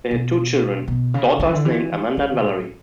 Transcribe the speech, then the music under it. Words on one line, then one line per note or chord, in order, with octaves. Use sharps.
They had two children, daughters named Amanda and Valerie.
B2
B2
C#3
D3
E3
D3
E3
E3
A2